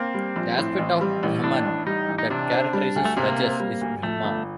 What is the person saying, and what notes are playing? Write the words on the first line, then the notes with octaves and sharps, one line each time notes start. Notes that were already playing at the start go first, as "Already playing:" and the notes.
The aspect of Brahman that characterizes "Rajas" is Brahma.
Already playing: A#3 C4
G3
A#1
A2
A1
G3
A1
A2 D4
A1
G3 D#4
A1
D#4
C3 D4
C4
G3
D2
A3
C3 A#3
C4
G3
D2
F2 A3
G1